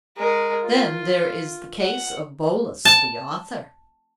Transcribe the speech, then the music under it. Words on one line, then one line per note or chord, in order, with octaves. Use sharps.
Then there is the case of Bolus the author.
G#3 A#4
F4
F#5
A5